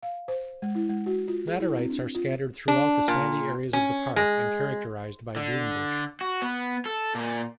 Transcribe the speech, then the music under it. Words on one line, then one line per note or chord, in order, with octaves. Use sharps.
Laterites are scattered throughout the sandy areas of the park and characterised by broombush.
F5
C5
G#3
E4
G#3
F#4
F4
G#4
E4
C4
D4
F4
D4
A#2
C#4
G#3
D3
F#4
B3
A4
A#2